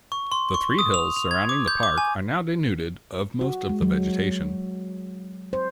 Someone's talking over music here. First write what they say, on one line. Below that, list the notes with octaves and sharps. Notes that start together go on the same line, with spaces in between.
The three hills surrounding the park are now denuded of most of the vegetation.
C#6
C6
C#6
D#6
F7
F7
G#6
D6
G6
D6
G#5
F#4
G#3
F#3
C5